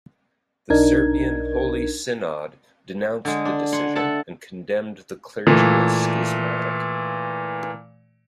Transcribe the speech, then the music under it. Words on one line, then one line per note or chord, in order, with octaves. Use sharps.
The Serbian Holy Synod denounced the decision and condemned the clergy as schismatic.
B1 D4 D#4 A#4 G#6
D3 G#3
D4
F#5 G#5 C6
A4 E5 F#5 A5
A#2 E3 A3